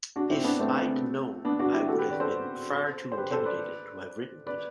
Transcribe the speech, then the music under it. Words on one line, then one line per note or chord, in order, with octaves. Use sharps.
If I'd known, I would have been far too intimidated to have written it.
D4 F#4
C4 E4
B3 D4
A3 C4
B3 D4
D4 F#4
E4 G4
F#4 A4
G4 B4
B4 D5
A4 C5
C5
G4 B4
A4 C5
B4 D5
B4 D5